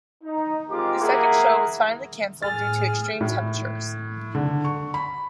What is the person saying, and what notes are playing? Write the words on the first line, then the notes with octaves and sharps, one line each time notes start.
The second show was finally canceled due to extreme temperatures.
D#4
G#3 C4 F4 G4 A#4 D6
A#3 E4 G#4 F#5 A#5
A2 G#4 F6 A6
A2
D3
C#6
B5